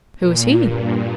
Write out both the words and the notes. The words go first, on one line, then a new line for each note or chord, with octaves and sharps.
"Who is he?"
A#2
G2